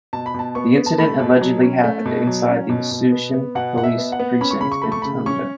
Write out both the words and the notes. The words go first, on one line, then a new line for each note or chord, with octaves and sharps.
The incident allegedly happened inside the Asuncion police precinct in Tondo.
B2 A5
B5
B2 A5
B3 C#6
B3
A5
A3 B5
B2
F#3
C#4
A3
B2
F#3
C#4
B2
B2
B3
B3
B2 F#5
B2 F#5
E5
B3
F#5
B3
C#4 B5
C#6
C#3 B5
C#6
A3 B5
C#6
C#3 B5
C#4 C#6